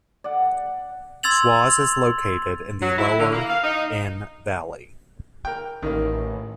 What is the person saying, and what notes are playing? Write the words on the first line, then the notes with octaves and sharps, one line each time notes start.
Schwaz is located in the lower Inn valley.
D5 F#5
C6 E6 G#6 A6 F7 F#7
F#3
E4
D3
A#3
F5
D#4
A#4 G5
A1 D#3 A#3